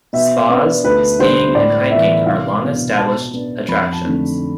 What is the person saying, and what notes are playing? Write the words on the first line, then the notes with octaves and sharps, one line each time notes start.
Spas, skiing, and hiking are long-established attractions.
B2 E5
B3 D4
D2 B4
D3 G3 B3 C5
A2 D5
E3 B3 D4 E5
C2 F5
B2 B3 D4
B2 A5
B3 D4
F2 B5
A5
D3 A3 C4